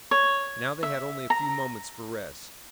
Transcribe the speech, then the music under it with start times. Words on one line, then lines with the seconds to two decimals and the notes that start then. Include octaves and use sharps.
Now they had only a few moments for rest.
0.11 C#5
0.83 E5
1.30 A#5